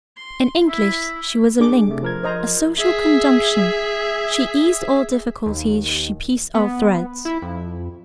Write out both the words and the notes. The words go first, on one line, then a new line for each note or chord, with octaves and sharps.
In English she was a link, a social conjunction; she eased all difficulties, she pieced all threads.
C6
E4 E5
D4 G#4 D6
C3 A3
F3 A#4 G#6
C5 D#5 A#5
G#4 E5
D#2
B3
E4
F2